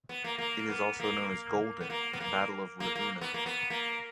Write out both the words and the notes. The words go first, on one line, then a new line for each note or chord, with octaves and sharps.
It is also known as "Golden" "Battle of Ruhuna".
B3
A#3
A#3
B3
A#3
B3
A#3
B3
A#3
A#3
A#3
B3
A#3
B3
A#3